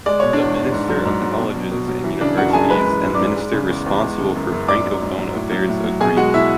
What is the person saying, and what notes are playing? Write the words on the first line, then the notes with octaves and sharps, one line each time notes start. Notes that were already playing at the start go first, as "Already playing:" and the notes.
The Minister of Colleges and Universities and Minister Responsible for Francophone Affairs agreed.
G#3 D5
B2 C#5
D4 D5
E2
E2
G#2
F#3
G#2
F#3
B2
F#3
B2
F#3
E3
C#3 D4 D5
F#2 F#4 F#5
A5
F#2 G#4 G#5
G#3 B4 B5
E3
G#2
D5 D6
G#2
G#3
C#3
E2
E2
G#3
C#3
F#2
F#2
G#2 D5 D6
F#3
G#2
F#3
A2
F#3
A2
F#3
B2 G#4 G#5
G#3 F#4 F#5
B2 E4 E5